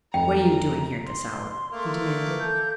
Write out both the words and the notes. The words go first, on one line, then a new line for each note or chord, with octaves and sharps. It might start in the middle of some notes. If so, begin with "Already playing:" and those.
"What are you doing here at this hour?" he demanded.
F1 G5 A#5
C6
A3 A#3
A4 G6